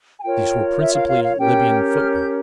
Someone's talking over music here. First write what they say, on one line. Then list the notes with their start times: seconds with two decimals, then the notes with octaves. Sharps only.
These were principally Libyan footmen.
0.19 G#5
0.23 F4 A#4 C#5 G5
0.81 E5
0.95 F5
1.09 F5
1.24 F5
1.38 C#4 G4 A#4 G5
1.94 F6
2.13 G6